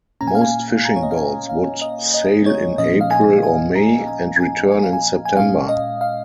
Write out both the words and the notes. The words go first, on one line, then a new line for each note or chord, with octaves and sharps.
Most fishing boats would sail in April or May and return in September.
A#2 A#3 C#4 A#5
G#5
F5
G#5
A#5
C#5
D#5
F5
G#5
F5
D#5
D#5
C#5
A#2 F3 A#3 C#4 D#5
F5
G#5
G#5
A#5
G#5
G#5
G#5
F5
G#5
G#5
A#2 G#3 C#4 F5
D#5
F5